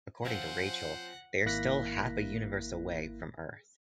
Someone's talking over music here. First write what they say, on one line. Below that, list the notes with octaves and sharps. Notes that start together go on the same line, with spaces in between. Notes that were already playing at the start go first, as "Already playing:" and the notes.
According to Rachel, they are still "half a universe away" from Earth.
F3 C4 C#4 C5 F#5
G#1 A#3 E4 F#6 A#6 B6